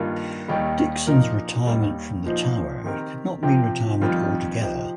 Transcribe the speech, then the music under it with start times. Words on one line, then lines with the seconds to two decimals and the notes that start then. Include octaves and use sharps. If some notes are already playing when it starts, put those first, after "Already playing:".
Dixon's retirement from the Tower did not mean retirement altogether.
Already playing: G2 D#3 G3 A#3 F4
0.48 D#2 D#3 G3 D#4 G4
1.07 A#2 F3 D#4 A#4
1.66 D#2 D#3 G3 D#4
2.25 A#2 F3 D#4 C5
2.84 D#3 C4 G4 A#4
3.43 C3 F3 C4 G4
4.01 F2 D#3 G3 C4 F4
4.61 F3 D#4 G4 C5